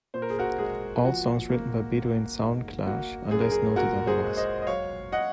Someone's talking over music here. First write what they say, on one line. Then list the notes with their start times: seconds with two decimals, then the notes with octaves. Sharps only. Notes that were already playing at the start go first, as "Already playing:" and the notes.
All songs written by Bedouin Soundclash unless noted otherwise.
0.14 A#2 C5
0.22 A#4
0.30 G#4
0.39 F#4 A#4
0.58 G#3 G#4
1.04 F3 F#4
1.49 A#3
1.95 A#3
2.41 G#2
2.86 A#3 F#4
3.31 F#2 G#4
3.41 A#4
3.52 G#4
3.76 A#2 F#4 A#4
4.06 G#4 C5
4.22 G#3
4.37 C5 D#5
4.62 D#5
4.67 F#3 C#5 F5
5.12 D#5 F#5